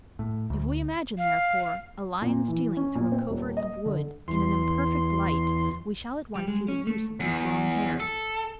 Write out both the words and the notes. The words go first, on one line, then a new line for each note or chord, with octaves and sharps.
If we imagine, therefore, a lion stealing through a covert of wood in an imperfect light, we shall at once see the use of these long hairs.
A2
D2
F5
A#2
E3
C#4
A#2
C4
D#1
D#5
D3
E2 C6
G3
G#3
C#4
A3
E2
A4